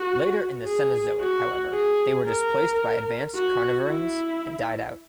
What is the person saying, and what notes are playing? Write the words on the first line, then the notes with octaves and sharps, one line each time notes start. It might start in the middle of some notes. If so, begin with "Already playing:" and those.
Later in the Cenozoic, however, they were displaced by advanced carnivorans and died out.
Already playing: F#4
G#4
F#4
G#4
A#4
F#4
E4